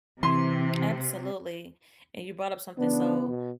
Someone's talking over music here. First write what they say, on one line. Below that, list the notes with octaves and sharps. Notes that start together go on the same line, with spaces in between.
Absolutely, and you brought up something so,
C3 E3 C6
C#3 E3 B3 D4
B2